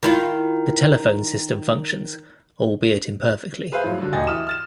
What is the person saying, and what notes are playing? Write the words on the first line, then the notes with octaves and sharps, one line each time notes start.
The telephone system functions, albeit imperfectly.
D#3 E4 F4
G#4 B4 C5 E5 F5
F#2 A2 F3 F#3
G2 B2 D3
D#1 D2 G4 D#5 G#5 A6
E3 E5 D#6 F6 E7
F6 A6 E7